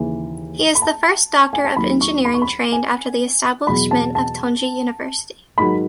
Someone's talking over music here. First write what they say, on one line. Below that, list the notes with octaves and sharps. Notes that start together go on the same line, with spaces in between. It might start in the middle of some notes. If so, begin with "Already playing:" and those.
He is the first doctor of engineering trained after the establishment of Tongji University.
Already playing: D#2 C#3 E3
B5
A5
G#5
A5
D#2 D#3 F#3 B5
C#6
B5
C#6
B5
G#5
E2 B2 F#3 B5
A5
A5
G#2 D#3 F#3 B5